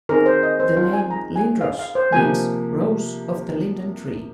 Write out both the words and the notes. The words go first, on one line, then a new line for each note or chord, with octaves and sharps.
The name "Lindros" means "Rose of the Linden tree".
D#3 C4 G#4 A#4
C5
D#5
C5
F4
G#5
A#5
G#5
F5
F5
C5
C3 F3 A#3 G#5